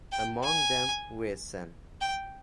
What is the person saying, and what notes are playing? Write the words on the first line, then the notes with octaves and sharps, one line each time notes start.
Among them were Sen.
G5
G#5
G5